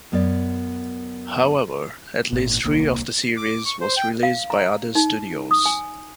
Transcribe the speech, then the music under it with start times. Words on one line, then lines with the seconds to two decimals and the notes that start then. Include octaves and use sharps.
However, at least three of the series was released by other studios.
0.12 F#2 B3 C#5 D5
2.33 G#1 A#2
2.64 D#1 C2 A#3
3.37 D6
3.66 C#6
3.81 C5
3.97 G5
4.23 F5
4.50 A#5
4.95 D#4
5.51 D#6
5.66 G#5